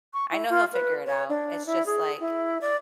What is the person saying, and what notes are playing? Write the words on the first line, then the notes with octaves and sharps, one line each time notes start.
I know he'll figure it out. It's just, like
C#6
E4
F4
B4
C#5
D4
E4
G#4
E4
D5